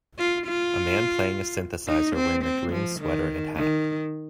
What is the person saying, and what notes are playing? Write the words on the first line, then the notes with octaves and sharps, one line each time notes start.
A man playing a synthesizer wearing a green sweater and hat.
F4
F4
D#4
C4
C4
F3
D#3
D#3